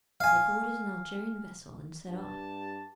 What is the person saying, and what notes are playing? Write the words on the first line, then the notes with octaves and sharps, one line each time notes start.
They boarded an Algerian vessel and set off.
F5 G#5
G2 G4 A5